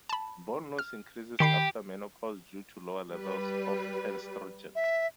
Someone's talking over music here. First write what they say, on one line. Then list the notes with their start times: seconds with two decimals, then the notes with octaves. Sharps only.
Bone loss increases after menopause due to lower levels of estrogen.
0.09 A5 B5
0.79 F6
1.40 D#3 G4 B5 C7
3.11 G3 B4
4.75 E5